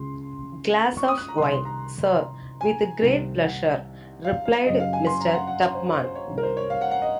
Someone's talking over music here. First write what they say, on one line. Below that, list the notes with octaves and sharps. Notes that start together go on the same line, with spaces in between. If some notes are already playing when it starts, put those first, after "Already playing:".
Glass of wine, Sir!’ ‘With great pleasure,’ replied Mr. Tupman.
Already playing: C#2 C#3 C6
C#6
D#6
F#6
A#5
C2 C3 D#3 C6
C6
A#5
G#5
C2 C3 D#3
F#5
F5
F5
F#2 C#3 D#5
F5
G#5
C6
A#5
F#5
F#5
C#5
C5
C5
C5
C#5
C2 C3 D#3
A#4
C5
C#5
F5
F#5
F#5
D#5